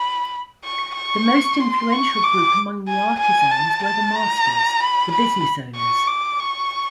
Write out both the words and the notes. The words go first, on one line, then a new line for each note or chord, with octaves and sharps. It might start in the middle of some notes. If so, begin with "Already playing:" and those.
The most influential group among the artisans were the masters, the business owners.
Already playing: B5
C#6
C#6
C6
C#6
D6
G#5
G#5
A5
A5
A#5
B5
B5
C#6
D6
C#6